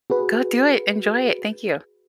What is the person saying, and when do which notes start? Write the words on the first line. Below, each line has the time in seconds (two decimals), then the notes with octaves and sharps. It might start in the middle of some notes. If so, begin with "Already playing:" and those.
Go do it, enjoy it, thank you.
0.10 F#4 G#4 B4